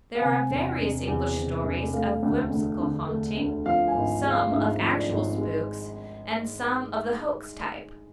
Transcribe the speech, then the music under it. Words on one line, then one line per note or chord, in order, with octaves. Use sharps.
There are various English stories of whimsical haunting, some of actual spooks and some of the hoax type.
F5
C3 G#5
E1
E1
E2
C3
E1
A3 F5
D2
D2
D3
A3
D2
F3 F5
G#5
G#1
G#3
F5
G#2 E5
F3
D5
G#1
G#3